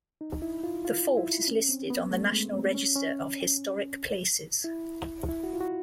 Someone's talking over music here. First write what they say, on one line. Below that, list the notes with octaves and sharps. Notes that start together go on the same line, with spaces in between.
The fort is listed on the National Register of Historic Places.
D#4
E4
F4
F4
E4
C#4
C4
B3
A3
G#3
C4
C#4
C#4
E4
E4
F#4
F4
F#4